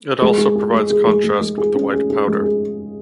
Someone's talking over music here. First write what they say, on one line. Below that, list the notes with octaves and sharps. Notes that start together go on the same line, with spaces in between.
It also provides contrast with the white powder.
G#3
G#3
G#4
G#3
G#4
G#3
G#3
G#3
G#4
C#4
G#4
G#4
G#3
G#4